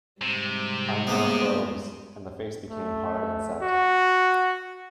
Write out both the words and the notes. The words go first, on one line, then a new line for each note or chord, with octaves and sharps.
I now froze, and the face became hard and set.
G#2 C3 G3
C#3 A#3 B3
A3
F#4